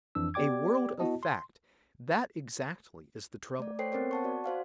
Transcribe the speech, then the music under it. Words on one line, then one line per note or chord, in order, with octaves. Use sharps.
"A world" of fact!--that exactly is the trouble.
F2 E3 D4 E6
B3 G4 D5 G5 D6 G#6
B3 E4 F#4 D#5 A5
C6
A3 D5
A4 C5 C#5 G5 C7
B3 C4 A#4 C5 C#5
F#5 A5 C#6
F#4 D5
F#4 C5 F5 F#5